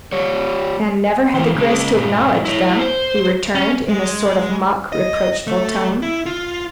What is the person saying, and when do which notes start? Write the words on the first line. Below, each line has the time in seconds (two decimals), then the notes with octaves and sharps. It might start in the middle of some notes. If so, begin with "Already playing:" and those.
"And never had the grace to acknowledge them," he returned, in a sort of mock reproachful tone.
0.12 G3 C#5
1.34 E3 G3
1.55 C#3 G#3
1.92 G2 A#2
2.45 E4 C#5
2.79 C5
3.55 C#4
3.89 G#3
4.92 D#5
5.47 A3
6.02 E4
6.26 F4